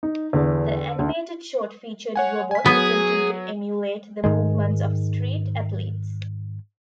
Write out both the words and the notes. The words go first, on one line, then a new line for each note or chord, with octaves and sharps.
The animated short featured robots attempting to emulate the movements of street athletes.
D#4
E2 D3
D2
C#5 F#5 G#5
G#5 B6
F#3 B3 G#4
G#2 D#3 G#3